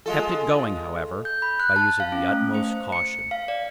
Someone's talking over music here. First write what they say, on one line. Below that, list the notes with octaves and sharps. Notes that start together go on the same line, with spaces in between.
We kept it going, however, by using the utmost caution.
G#3 F4 A4
G6
B5
F#6
A5
F5
C#4
A3
C5
C#7
F5
D5